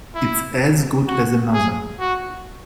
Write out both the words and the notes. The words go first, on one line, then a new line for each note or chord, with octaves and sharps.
It's as good as another.
E4
F#4
G#4
F#4